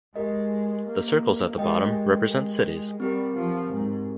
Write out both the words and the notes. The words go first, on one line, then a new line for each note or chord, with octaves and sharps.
The circles at the bottom represent cities.
G#3 G4 A#4 D#5
A#3
G#3 G4 A#4 D#5 G5
G#3
G3 C4 G4 A#4
F3
G#2